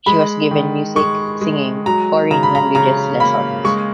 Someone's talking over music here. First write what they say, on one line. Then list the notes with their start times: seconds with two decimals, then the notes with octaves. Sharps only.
She was given music, singing, foreign languages lessons.
0.06 G#3 B5
0.51 D#3
0.96 G#3 C#6
1.41 G#3
1.86 F#3 A#5
2.31 C#3 A#5
2.43 B5
2.55 A#5
2.75 C#3 A#5
3.20 A#3 B5
3.64 G#3 C#6